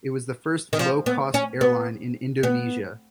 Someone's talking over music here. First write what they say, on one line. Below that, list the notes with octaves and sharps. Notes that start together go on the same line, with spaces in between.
It was the first low cost airline in Indonesia.
D#3
F3
B3
C#4
B3
B3